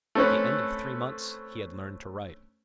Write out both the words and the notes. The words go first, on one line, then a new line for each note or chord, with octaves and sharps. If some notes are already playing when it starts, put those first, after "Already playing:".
At the end of three months he had learned to write.
A3 C4 C#4 B4